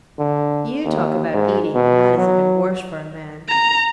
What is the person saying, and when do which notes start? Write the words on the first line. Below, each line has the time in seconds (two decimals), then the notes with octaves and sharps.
'You talk about eating, and that is even worse for a man.
0.18 D3
0.85 D#2
1.34 G#2
1.75 B2
2.18 F#3
3.49 A#5